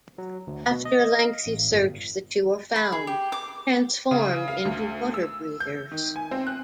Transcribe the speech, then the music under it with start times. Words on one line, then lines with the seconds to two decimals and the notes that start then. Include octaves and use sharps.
After a lengthy search the two are found, transformed into water breathers.
0.18 F#3
0.47 D2
0.71 B2
0.85 D#5
1.15 F5
1.46 A1
1.71 G1
2.76 B5
2.92 G#4
3.07 G4
3.32 D6
4.11 C#3
4.48 F5
4.65 D2
5.14 E6
5.60 G6
5.91 D#3
6.16 G#5
6.31 C4
6.47 F#6